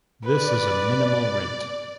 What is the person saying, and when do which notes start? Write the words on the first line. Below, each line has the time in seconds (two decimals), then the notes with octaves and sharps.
This is a minimal rate.
0.25 B4 D5